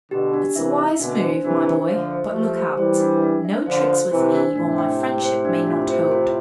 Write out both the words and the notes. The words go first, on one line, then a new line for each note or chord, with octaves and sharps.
It's a wise move, my boy, but look out! No tricks with me or my friendship may not hold.
B2 D3 G4
D4
C3 E3 E5
E5
B2 D3 D4
C5
C3 E3 D4
C5
D3 F3 E5
C5
F3 A3 G4
C5
E3 G3 C5
D4
D4
E5
D3 F3 C5
C5
C3 E3 C5
D4
A2 C3 D4
G5
G5
C5
D4
F4
C5
F4